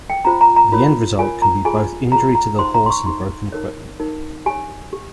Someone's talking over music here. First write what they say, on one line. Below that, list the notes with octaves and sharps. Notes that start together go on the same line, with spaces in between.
The end result can be both injury to the horse and broken equipment.
G5
C#4 F4 C5 A#5
A#5
A#5
F4 A#4 C#5
F4 A#4 C#5 G#5
A#5
F4 G#4 C#5 G#5
F4 G#4 C#5 A#5
A#5
D#4 G4 C5 C6
A#5
C6
C#6
D#4 G4 C5 C6
D#4 A#4 C#5
D#4 A#4 C#5
G4 C#5 G#5
G4